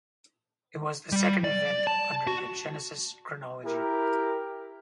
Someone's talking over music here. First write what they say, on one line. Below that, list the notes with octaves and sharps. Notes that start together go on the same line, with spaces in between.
It was the second event under the Genesis chronology.
G3
D5
A5
F#4
E4 G4 A#4